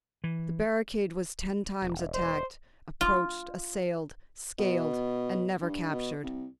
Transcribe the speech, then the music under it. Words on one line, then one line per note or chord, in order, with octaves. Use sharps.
The barricade was ten times attacked, approached, assailed, scaled, and never captured.
E3
E1
C5
F4
B2
G2
B2
C2